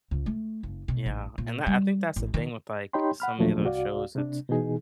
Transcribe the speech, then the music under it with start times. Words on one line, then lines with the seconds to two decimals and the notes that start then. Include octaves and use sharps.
Yeah, and that I think that's the thing with, like, so many of those shows it's
0.11 C#2
0.26 A3
0.63 F#1
0.88 B2
1.06 A1
1.38 A#2
1.67 G3
2.16 A1
2.34 D#3
2.93 D#4 G4 C#5 G5 B5 C6
3.20 F#5 B5 F6
3.38 D#2 A#2 F3 F#3 A3 D4
3.65 C2 F#4 D5 F5
4.15 C3 D4
4.49 B2 E3 D#4 G#4